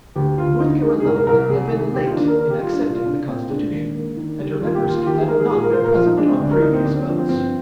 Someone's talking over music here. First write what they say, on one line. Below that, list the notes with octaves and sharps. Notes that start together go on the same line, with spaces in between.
North Carolina had been late in accepting the Constitution, and her members had not been present on previous votes.
D2 G4
D2 F4
D3 D#4
G#3
G#4
C2 A#4
A#4
C2 A#4
A#4
C3 G#4
D#3
D#2 G4
F4
D#4
D#2 D4
A#4
D#3 A#4
G4
G3 F4
D4
C2 F4
F4
C2 D4
A#2 C4
G#3 D4
D#2
A#3
D#3
G3
D#2 F4
G4
D#2 F4
F4
D#3 G4
G#4
G#3 A#4
G#4
A#2 G#4
A#4
A#2 C5
A#4
F3 F4
D#4
G#3 D4
C4
D2 D4
A#4
A#3 D#4
C4
D3 D4
C4
F3
C4
G2 C4